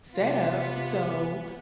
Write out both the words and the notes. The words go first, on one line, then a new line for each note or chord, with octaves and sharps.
setup, so
C3 B3 F4